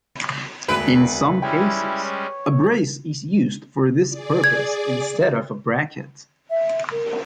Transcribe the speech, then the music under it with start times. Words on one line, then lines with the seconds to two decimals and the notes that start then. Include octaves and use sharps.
In some cases, a brace is used for this purpose instead of a bracket.
0.68 E1 D2 B4 D7
1.42 G3 G#3 C#4 E4 G5
2.05 C#5
4.08 G#4 D5
4.44 G#6
6.49 E5
6.90 A#4